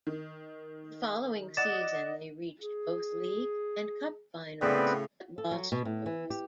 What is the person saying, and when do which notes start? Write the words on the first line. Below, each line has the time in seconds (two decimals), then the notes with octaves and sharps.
The following season they reached both league and cup finals but lost both.
0.07 D#3
1.57 D5 D#5 F#5 D#6 A6 E7
2.61 G#4
4.61 A2 C#3 B3 C4 B4 D5
5.38 A4
5.51 F#3
5.72 B2
5.85 A2
6.06 E3
6.30 G4